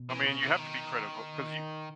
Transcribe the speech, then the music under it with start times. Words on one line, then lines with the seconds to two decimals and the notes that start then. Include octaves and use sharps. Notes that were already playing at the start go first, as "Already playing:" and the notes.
I mean, you have to be critical, 'cause you
Already playing: B2
0.10 E3
0.26 C#3
0.43 E3
0.59 D#3